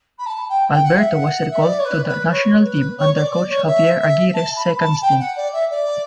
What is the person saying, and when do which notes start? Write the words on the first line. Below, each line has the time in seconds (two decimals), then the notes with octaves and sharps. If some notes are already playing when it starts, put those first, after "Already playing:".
Alberto was recalled to the national team under coach Javier Aguirre's second stint.
0.18 B5
0.26 A5
0.49 G5
0.71 G5
0.84 F#5
0.97 E5
1.10 F#5
1.50 E5
1.61 D5
1.78 C#5
1.84 B4
2.07 B4
2.30 C#5
2.64 B4
2.97 C#5
3.15 D5
3.32 D5
3.49 C#5
3.66 E5
4.00 E5
4.34 A5
4.56 B5
4.79 A5
5.01 G5
5.19 F#5
5.36 D5
5.53 E5
5.70 D5